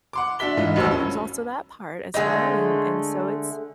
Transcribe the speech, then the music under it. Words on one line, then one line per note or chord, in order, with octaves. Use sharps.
but there's also that part as well, and and so it's
F#5 C6 D6
D4 F#4 E5 B6 G7
G#2 E3 F4 D#5
A1 D#2 F#4 A#4 C5 E6
G2 C#4
D3 G#3 A3 D#4